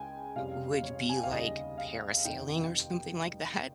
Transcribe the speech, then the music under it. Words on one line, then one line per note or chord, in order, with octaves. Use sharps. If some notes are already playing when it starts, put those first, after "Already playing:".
would be, like, parasailing or something like that.
Already playing: C#2 C#3 G#3 G5 G#5
F1 F2 C3 G3 C#4 F5
C#5
G#5
G5
F5
D#2 C#3 G3 D#5
F5
F1 F2 D#3 G5